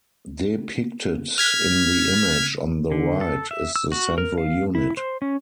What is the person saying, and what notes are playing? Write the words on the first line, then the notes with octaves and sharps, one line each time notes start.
Depicted in the image on the right is the central unit.
F6 G#6 B6
D3
A4
E5
E6
F#4
A#4
F5
E4
C5
C#4